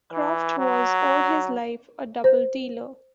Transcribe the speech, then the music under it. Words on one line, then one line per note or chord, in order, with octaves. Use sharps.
Croft was all his life a double-dealer.
E3
F#3
C5